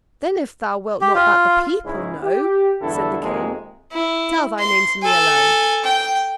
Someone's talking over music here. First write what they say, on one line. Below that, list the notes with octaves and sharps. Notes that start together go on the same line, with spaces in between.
"Then if thou wilt not that the people know," said the King, "tell thy name to me alone."
G4
F4
C#2 G#2 G#3 C#4 E4
G4
E2 G2 D3 D4 E4 A4
F2 C3 D#3 G#3 A#3
E4
C6
A4 G#5
G5